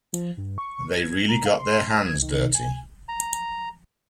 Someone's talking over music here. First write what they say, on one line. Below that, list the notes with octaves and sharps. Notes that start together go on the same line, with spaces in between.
They really got their hands dirty.
F3
G2
C#6
G#6
A#5
F5
C6
G#6
D#3
G#5
A#5